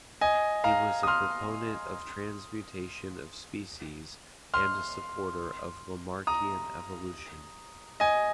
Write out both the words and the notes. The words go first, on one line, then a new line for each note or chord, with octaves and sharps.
He was a proponent of transmutation of species and a supporter of Lamarckian evolution.
D#5 G#5
F5 A#5
D#6
C6 F6
C6 F6
A#5 D#6
D#5 G#5